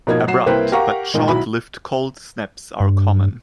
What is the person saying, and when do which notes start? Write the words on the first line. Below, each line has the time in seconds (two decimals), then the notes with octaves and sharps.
Abrupt but short-lived cold snaps are common.
0.07 B2 F3 A#3 D#4 G#6
0.27 F#3 F#5 C7 E7
0.46 C2 A#3 E4 B4 C5 G5
0.72 G4 A#4 F5 F#5 A#5 C#6
1.14 A#2 D#3 G#3
1.28 B1 E4 F#4 B5
2.80 G2